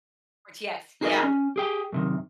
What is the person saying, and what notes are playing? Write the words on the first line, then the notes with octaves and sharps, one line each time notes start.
RTX, yeah.
D#4 F#4 G#4 A#4 D5 D#5
C#4
G4 G#4 G5
F#2 C3 D#3